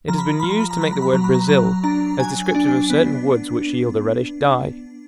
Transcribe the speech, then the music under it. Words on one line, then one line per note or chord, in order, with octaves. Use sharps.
It has been used to make the word "brazil," as descriptive of certain woods which yield a reddish dye.
F3 A#5
B5
A#5
F3 B5
A#5
B5
A#5
F#3 B5
A#5
B5
F#3 A#5
B5
A#5
F#3 A#5
D4 A#5
F#3 G#5
D4
B3